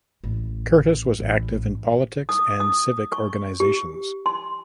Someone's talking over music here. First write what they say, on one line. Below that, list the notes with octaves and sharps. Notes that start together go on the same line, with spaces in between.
Curtis was active in politics and civic organizations.
A1
A1
D#6
D#6
C#6
G4
C6